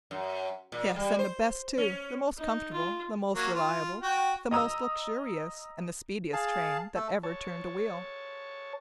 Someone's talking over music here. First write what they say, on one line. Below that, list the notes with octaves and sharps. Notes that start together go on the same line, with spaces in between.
Yes, and the best too,--the most comfortable, the most reliable, the most luxurious and the speediest train that ever turned a wheel.
F#2
A#2
G3
C5
C#4
D#4
F4
F#3 A#3
F4
F#4 G5
D#5 A#5 D#6 E6
G#4 F5 A5
A3 A4
C#5 A5